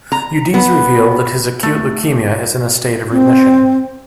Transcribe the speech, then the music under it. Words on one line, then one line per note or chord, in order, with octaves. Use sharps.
Udeze revealed that his acute leukemia is in a state of remission.
A#5
B3
A3
C4